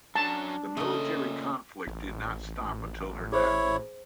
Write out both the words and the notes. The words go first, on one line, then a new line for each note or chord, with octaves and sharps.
The military conflict did not stop until her death.
F#3 C#4 D4 A5
A#2 C#3 A3 D#5
A1
E4 G#4 C5 C#5